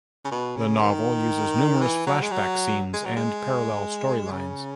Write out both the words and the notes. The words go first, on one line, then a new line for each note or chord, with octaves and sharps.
The novel uses numerous flashback scenes and parallel storylines.
C#3
B2
C#3
D#3
E3
F#3
G#3
F#3
G#3
F#3
G#3
C#3